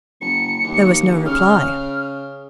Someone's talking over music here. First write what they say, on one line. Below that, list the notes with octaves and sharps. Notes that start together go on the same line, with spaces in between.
There was no reply.
F#1 C#7
D#2
C#3 F6